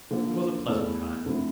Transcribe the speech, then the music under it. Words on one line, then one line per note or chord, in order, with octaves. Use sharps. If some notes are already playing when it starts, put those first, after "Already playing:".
It was a pleasant time.
D3 F3 A#3 F4 A4
E2 E3 A3 E4 A4
F2 D3 F3 A3 E4